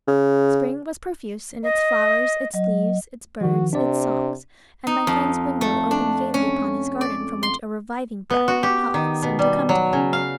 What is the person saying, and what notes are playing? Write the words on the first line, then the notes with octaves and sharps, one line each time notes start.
Spring was profuse in its flowers, its leaves, its birds, its songs; and my friend's window opened gaily upon his garden, from which a reviving breath of health seemed to come to him.
C#3
D#5
F#3 D#5
D#3 F3 F#4
C3 D4 D5
D#4
F2
A3
D4
C#4
D5
C6
B3
F#4
G4
D#3
B2
G3
F#3
C#3
F5